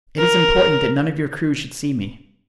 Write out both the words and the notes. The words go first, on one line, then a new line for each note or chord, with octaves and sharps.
"It is important that none of your crew should see me."
A#4